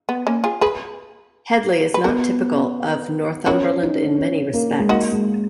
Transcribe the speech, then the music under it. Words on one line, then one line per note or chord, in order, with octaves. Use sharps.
Hedley is not typical of Northumberland in many respects.
B3
A#3 C#4
F4 G#4
G#4 B4
B4
B3 F#4 A#4
C#4 F#4 A#4
D#4
C#4
A#3
G#3
A#3 D#4 F#4
G#3